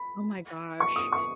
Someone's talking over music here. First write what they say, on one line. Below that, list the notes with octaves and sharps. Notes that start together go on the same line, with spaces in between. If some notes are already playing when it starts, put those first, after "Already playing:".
Oh my gosh.
Already playing: B5
C#6
D#6
C#6